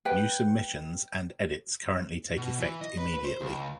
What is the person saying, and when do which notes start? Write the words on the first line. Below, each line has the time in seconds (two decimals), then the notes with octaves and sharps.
New submissions and edits currently take effect immediately.
0.05 B4 G5
2.37 B2
2.59 E3
2.81 D#5
2.98 B4
3.14 B4
3.25 C5
3.41 C#2